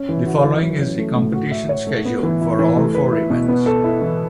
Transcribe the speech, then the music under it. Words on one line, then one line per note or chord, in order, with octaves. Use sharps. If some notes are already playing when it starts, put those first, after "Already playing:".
The following is the competition schedule for all four events.
Already playing: C#4
E3
F#4
E3
F#3
C#4
A3
A2
F#4
E5
C#5
A3
B3
E3
E4
E3
A3
B4
E4
B2
B3
A4
E4
E3